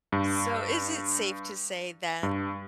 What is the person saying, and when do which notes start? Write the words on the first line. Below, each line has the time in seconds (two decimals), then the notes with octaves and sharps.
So is it safe to say that
0.12 G2
2.23 G2